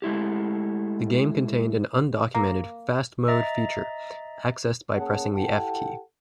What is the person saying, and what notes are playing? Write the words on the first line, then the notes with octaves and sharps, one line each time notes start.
The game contained an undocumented "fast mode" feature, accessed by pressing the F key.
G#3 A3 E4 G4
A#3
D#5 E5 A#5 A6
A#3 C#4 G#4 C#5 F#5 A5
E4 G4 A4 F#5 G5 A5